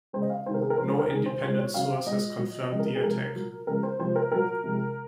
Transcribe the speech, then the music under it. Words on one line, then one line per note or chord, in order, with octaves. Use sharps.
No independent source has confirmed the attack.
C#3 G#3 C5
D#5
F5
C3 D#3 G#3 C5
A#4
G#4
A#4
C3 F3 G#3 C5
C5
A#4
C3 D#3 G#3 G#4
C5
A#2 G#3 C5
C#5
C#3 F#3 F5
A#2 G#3 D#5
A#2 F#3
C#3 F3 G#3 D#5
A#4
G#4
C3 F3 G#3 A#4
A#2 F#3
C#3 F3 G#3 A#4
C5
C3 F3 G#3 C5
A#4
A#2 F#3 A#4
C3 F3 G#3